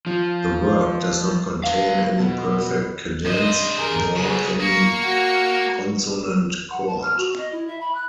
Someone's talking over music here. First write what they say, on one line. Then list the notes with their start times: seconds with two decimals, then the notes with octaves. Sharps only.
The work does not contain any perfect cadence, nor any consonant chord.
0.06 F3
1.64 B4 F5
2.20 B2
3.26 G2 C5 D#5
3.77 G#4 A#4
4.16 C#3 F#3 G#4
4.61 A#3 C#6
5.03 F#4
6.70 F#5
6.86 A5
7.02 F6
7.17 F#4
7.37 D#5
7.52 E4
7.67 E5
7.80 B5
7.94 F#6